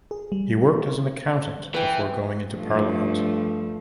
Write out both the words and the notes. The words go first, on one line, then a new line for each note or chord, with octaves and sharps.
He worked as an accountant before going into parliament.
G#4
G3
E3 B4 G5
G2 F3 A3